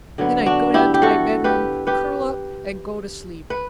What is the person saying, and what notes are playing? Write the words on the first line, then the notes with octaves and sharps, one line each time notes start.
Then I go down to my bedroom, curl up and go to sleep.
D3 F#3 B3
D4 F#4
E4 G4
G4
F#4 A4
G4 B4
G4 B4
B4